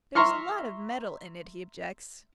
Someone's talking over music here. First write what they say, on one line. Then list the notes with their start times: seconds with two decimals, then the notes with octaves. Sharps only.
"There's a lot of metal in it," he objects.
0.15 E5 A#5 C6 C#6 F6